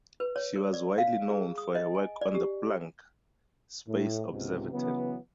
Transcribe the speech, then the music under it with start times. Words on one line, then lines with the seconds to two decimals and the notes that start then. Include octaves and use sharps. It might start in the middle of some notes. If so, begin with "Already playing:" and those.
She was widely known for her work on the "Planck" space observatory.
0.20 B4
0.36 C#5
0.56 A#4
0.73 D5
0.98 F5
1.29 G#4
1.58 D#6
1.75 D#5
1.95 G#5
2.21 D5
2.35 G4
3.88 A2
4.31 C#2 G#2 C3
4.72 C#3 E3 F#3 B3